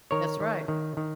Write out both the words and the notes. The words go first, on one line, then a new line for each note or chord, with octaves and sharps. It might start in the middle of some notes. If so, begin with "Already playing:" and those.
That's right.
D#3 A#4 C#5
D#3
D#3
D#3